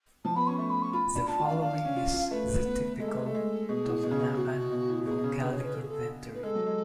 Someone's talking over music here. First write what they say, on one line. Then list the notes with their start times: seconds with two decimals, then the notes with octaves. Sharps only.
The following is the "typical" Totonacan vocalic inventory.
0.24 F3 A5
0.35 B3 B5
0.47 C#4 C#6
0.58 A3 C#6
0.70 B5
0.82 C#6
0.93 F4 B5
1.15 D4
1.27 F4 A5
1.39 F4
1.45 F5
1.50 D4
1.62 D4 F5
1.73 D4
1.85 C#4
1.96 F4
2.13 F4
2.30 A3 B4
2.65 B3
2.99 G#3 A4
3.08 A3
3.13 G#3 B4
3.26 A3 A4
3.35 G#3
3.68 B2 G#4
3.85 A2
4.03 B2
4.11 C#3
4.21 B2
4.33 G#4
4.37 F#4
4.71 B2
4.88 A2
5.06 B2 G#4
5.19 B2
5.24 C#3
5.41 D3 B4
5.52 C#5
5.64 B4
5.74 A4
5.82 G#4
5.89 A4
6.34 B4
6.43 G#3 A4
6.55 F#3
6.66 G#3